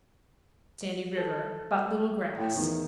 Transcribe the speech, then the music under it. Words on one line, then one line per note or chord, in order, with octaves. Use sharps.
Sandy River.--But little grass.
A4
A2 G5
E2 D#3